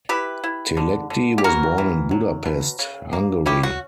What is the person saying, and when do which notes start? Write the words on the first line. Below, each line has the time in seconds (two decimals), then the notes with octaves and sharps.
Telegdi was born in Budapest, Hungary.
0.09 E4 G4 B4
0.44 E4
0.77 D3
1.10 D3
1.38 G4
1.44 E3 F#4 A#4
1.78 E3
2.11 F#3
2.46 B2
2.79 C#3
3.13 A#3
3.46 C#4 E4 G4
3.63 F#4